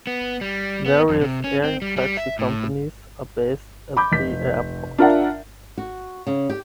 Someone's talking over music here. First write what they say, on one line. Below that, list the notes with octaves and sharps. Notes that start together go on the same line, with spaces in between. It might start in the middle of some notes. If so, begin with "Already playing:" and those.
Various air taxi companies are based at the airport.
B3
G3
B3
F2
C3
C#4
C4
G3
G3
E5
A2
B5 D6 G6
F1 B6
D4 F4 A#4 D5 E5 F#5
F#4
C#3
G4